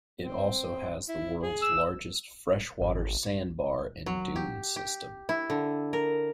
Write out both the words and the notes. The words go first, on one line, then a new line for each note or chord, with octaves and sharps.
It also has the world's largest fresh water sand bar and dune system.
C4
E4
G#4
E6
G#1
F#3
G4
G4
E4
D3
A#4